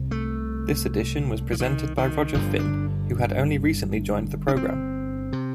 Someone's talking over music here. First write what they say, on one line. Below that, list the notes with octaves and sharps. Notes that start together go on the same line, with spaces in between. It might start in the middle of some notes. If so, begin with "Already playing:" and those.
This edition was presented by Roger Finn, who had only recently joined the programme.
Already playing: C2 C3
A3
F3
D#3
D#3
G1 G2 D3 F3
D4
D4
C4
C3